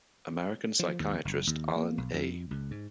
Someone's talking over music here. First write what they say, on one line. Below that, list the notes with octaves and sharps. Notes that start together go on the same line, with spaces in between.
American psychiatrist Alan A.
F3
D#2
F#1
D#2
A#3
B1
F2
C#2
G#2